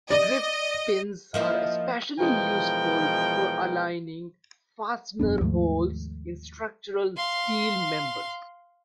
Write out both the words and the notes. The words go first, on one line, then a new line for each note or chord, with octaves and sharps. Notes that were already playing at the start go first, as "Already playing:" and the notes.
Drift pins are especially useful for aligning fastener holes in structural steel members.
D5 D#5
F3 A#3 E4 D#5
B2 E3 F3 G#3 A#4 G5
E1 F#2 B3 D4
D#2 G#2 F3 A3
F5 C6